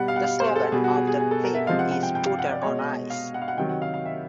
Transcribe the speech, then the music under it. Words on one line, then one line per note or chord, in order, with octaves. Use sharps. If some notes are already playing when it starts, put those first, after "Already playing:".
The slogan of the film is Putter on Ice.
Already playing: B2 G3 F#5
F5
F#5
F5
C5
G#4
A4
B2 G3 G#4
F#4
G#4
G#4
G#4
A4
A#4
E5
C3 F3 G#3 F5
F#5
F#5
G5
G5
F5
F#5
D5
B2 G#3 C#5
D#5
F5
F#5
F5
F#5
C3 D#3 F#3 G5
F#5
F5
F5
E5